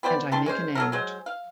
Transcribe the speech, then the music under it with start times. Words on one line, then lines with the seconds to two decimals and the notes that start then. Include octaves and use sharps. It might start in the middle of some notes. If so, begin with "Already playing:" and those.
And I make an end.
0.03 B3 G4 C5 D5
0.31 D#3 G4 A5 C6
0.46 G#3 C#4 C5
0.75 F#3 A4 A#4
0.92 F#3 G#3 C5
1.26 F5